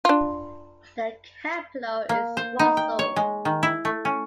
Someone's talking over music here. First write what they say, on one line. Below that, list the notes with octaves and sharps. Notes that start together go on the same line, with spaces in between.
The capital is Roseau.
D4 F4
A#3
C5
D#4
G5
C#5
G#3
D#3
E4
A3
C#4